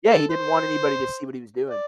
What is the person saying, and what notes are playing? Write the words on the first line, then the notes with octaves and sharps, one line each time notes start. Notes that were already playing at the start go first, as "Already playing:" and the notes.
Yeah, he didn't want anybody to see what he was doing.
A4
C5
D5